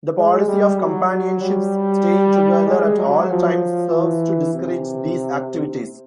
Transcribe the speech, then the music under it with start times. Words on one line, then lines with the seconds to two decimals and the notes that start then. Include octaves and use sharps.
The policy of companionships staying together at all times serves to discourage these activities.
0.17 G#3
0.48 G3
0.80 F#3
1.41 G3
2.66 G#3
2.98 F#3
3.29 F3
3.91 E3
4.53 C3